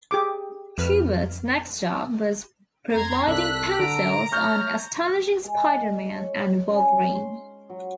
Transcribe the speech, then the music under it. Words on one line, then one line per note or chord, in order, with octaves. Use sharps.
Kubert's next job was providing pencils on "Astonishing Spider-Man and Wolverine".
G4 G#4 D6
F2 B4 F6
F2 A#5 C6 G#6
C2 A4 D5 A5 E6 F#6 B6
D3 A#5 D7
A3 C#5 C#6 F6 G6 A6
G#3
C#5
C#4
C6
F#3